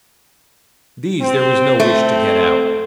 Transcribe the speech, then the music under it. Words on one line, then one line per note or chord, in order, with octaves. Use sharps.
These there was no wish to get out.
C4
A3 C4